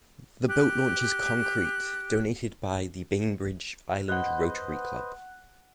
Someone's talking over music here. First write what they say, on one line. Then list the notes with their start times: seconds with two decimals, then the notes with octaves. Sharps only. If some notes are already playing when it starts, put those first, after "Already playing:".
The boat launch is concrete, donated by the Bainbridge Island Rotary Club.
0.47 G4 F#6
4.09 B4 C5 D#5 F#5 F#6